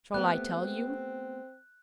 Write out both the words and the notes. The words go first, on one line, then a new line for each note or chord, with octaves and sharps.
Shall I tell you?
A3 B3 C4 G4 F#6